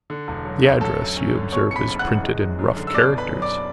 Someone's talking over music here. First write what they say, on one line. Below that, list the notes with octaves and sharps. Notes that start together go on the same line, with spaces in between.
The address, you observe is printed in rough characters.
D3
E1
F#3
D2
F#3 A4 A5
F#2
C#4
D3
B2 C#5 C#6
F#1 C#7
B5 B6
F#1
F#5 F#6
E2
G#3
F#2
F#2
D3
E6
B2 D5 D6
F#1
B4 B5
F#3
D5 D6